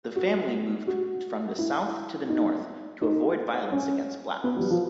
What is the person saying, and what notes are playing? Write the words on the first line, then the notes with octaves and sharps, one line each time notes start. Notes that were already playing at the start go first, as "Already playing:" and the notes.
The family moved from the South to the North to avoid violence against blacks.
F#4
F#4
E4
D#4
D#4
C#4
B3
G3
F#3
F3